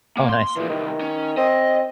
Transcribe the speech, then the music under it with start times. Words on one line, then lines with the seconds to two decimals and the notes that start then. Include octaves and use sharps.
Oh, nice.
0.17 A#3
0.29 C6
0.56 A#2 E3 F3
0.69 C2 D#3
1.01 C#4
1.37 C4 D#5